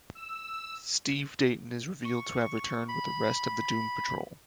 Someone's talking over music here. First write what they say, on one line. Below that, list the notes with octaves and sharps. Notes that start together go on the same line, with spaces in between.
Steve Dayton is revealed to have returned with the rest of the Doom Patrol.
E6
C#6
B5